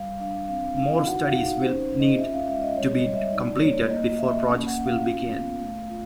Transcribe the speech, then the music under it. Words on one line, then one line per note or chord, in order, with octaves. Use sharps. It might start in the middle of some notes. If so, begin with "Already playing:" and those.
More studies will need to be completed before projects will begin.
Already playing: G3 F5
D4 F5
C4 F5
D#4 F5
F#4 F#5
F5
D#4
C#4 C5
C#4
D#5
F4 E5
F5
G#3 E5
D#5
G3 C#5
D#5
G3
E5
D#4 D5
A#3 C#5
A#3 D#5
A#3 E5
C#4
F#5
C#4
F5
F4
B3
A3
F4